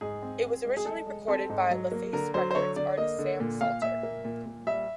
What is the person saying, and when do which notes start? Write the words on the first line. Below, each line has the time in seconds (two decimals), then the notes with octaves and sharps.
It was originally recorded by LaFace Records artist Sam Salter.
0.01 G#2 G#4
0.22 C4
0.44 C4
0.65 G#3
0.77 G#4
0.86 G#3 A4
1.06 G#3
1.28 C4 A4
1.49 G#2
1.70 F#3
1.92 A#3
2.13 D3 A#4
2.34 F#3 C5
2.51 C5
2.55 D3 C#5
2.76 D3 D5
2.97 A#3 D#5
3.19 D3
3.40 A#2
3.61 A#2 F5
3.82 A#2 E5
4.03 A#3
4.25 A#2
4.46 A#2
4.67 G3 E5